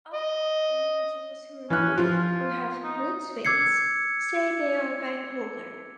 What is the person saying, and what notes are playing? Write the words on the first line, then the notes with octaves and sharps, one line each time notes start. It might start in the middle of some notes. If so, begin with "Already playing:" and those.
Often individuals who are "moody" or have mood swings say they are bipolar.
D#5
E3 C#4 F#6
F3 F4
D#4
D6 E6 G#6 C7 C#7